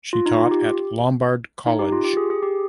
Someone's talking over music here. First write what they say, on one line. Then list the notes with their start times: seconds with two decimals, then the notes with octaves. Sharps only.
She taught at Lombard Collage.
0.13 F4
0.26 D#4
0.38 F4
0.51 G4
1.66 D#4
1.79 G4
1.92 F4
2.04 G4
2.17 G#4
2.30 G#4
2.43 G4